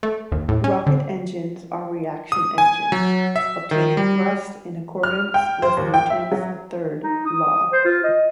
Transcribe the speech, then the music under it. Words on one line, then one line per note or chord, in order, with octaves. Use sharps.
Rocket engines are reaction engines, obtaining thrust in accordance with Newton's third law.
A3
D#2
A2
C#4
D3
D#6
G#5
F#3
E5
D#3
G3
F6
G5
C5
D#2
G5
E5
F#3
D#4
D#6
C5
F4
D#5